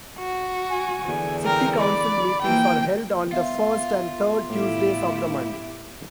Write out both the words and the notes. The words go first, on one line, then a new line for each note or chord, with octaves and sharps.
City Council meetings are held on the first and third Tuesdays of the month.
F#4
G#5
E2 D3
A#4 G5
D5 B5
E3 F3 A#3 G5
B3 F4 E5
A2 E4 G4